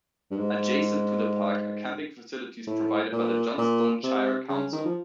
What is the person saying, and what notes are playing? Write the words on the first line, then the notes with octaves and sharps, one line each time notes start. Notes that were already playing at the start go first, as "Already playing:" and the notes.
Adjacent to the park are camping facilities provided by the Johnstone Shire Council.
G2
G#2
A2
A#2
A#2
C3
C#3
D#3
F3